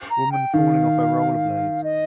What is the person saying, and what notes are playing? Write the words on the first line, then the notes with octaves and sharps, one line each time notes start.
Woman falling off her rollerblades.
A#5
G5
D#3 F5
D#5